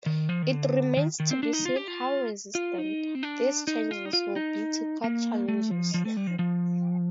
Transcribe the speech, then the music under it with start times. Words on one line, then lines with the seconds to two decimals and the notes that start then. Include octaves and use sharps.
It remains to be seen how resistant these changes will be to court challenges.
0.06 D#3
0.29 F3
0.42 D#3
0.52 D3
0.97 D#3
1.20 D#3
1.31 C4
1.43 D4
1.53 D#4
1.65 F4
1.76 G4
1.88 F4
2.55 F4
2.78 D#4
3.15 C4
3.23 D4
3.67 D#4
3.91 F4
4.05 D#4
4.13 F4
4.36 D#4
5.04 A#3
5.48 A3
5.71 F3
5.94 F3
6.05 A3
6.17 G3
6.27 F3
6.39 F3